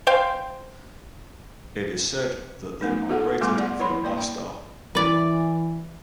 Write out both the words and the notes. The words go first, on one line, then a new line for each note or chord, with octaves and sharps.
It is said that they migrated from Bastar.
C5 F5 G5 C6
A3 B3 D#4
F4 F#4 G#4 A4 F#5
G3 A3 B3 F4 C6 D6
G#4 D5 F#5
E4 B4 C#5 B5 C6
A#3 D5 G5
E3 B4 D5